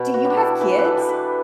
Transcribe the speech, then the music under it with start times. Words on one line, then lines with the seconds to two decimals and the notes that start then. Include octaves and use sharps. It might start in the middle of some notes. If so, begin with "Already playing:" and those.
"Do you have kids?
Already playing: B2
0.14 F#4
0.25 G3
0.30 D4
0.37 E4
0.61 E3 B4
0.79 B4
0.85 A4
0.97 G3
1.09 B4